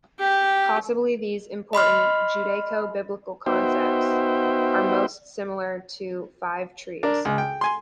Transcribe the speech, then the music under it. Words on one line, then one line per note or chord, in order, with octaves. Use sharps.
Possibly these important Judaico-Biblical concepts are most similar to "five trees".
G4
D#5 B5 C6 F6
B3 D#4 F#4 C5 E5 G5
D4 A#4
C#2
G5
G#5 C6